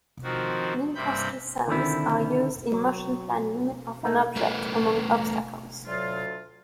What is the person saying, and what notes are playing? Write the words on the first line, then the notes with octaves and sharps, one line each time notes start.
Minkowski sums are used in motion planning of an object among obstacles.
D#3 F3 C4 F#4
G2 C3 A#3 C4 B5 G6
D3 D#3 C4 E4
F#3
A3 D#4
A3 A#4 B4
D2 F#3 F4